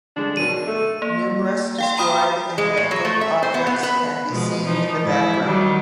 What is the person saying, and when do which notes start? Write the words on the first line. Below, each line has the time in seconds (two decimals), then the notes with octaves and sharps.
Numerous destroyed and mangled objects can be seen in the background.
0.16 D3 G#3 D4
0.37 B2 D#3 F#3 D#7
0.67 A3
1.02 A#3
1.78 F5 G5 C6
1.98 G5 A#5 B5 D#6
2.58 G#3
2.77 A2
2.91 F#3
3.05 A3
3.21 E5
3.43 C5
3.54 B3
3.67 B3
3.83 B4
4.29 B2 F3 G#3
4.61 E3 F3 D#4
5.03 G#2 E4
5.44 D#3 F#3 G3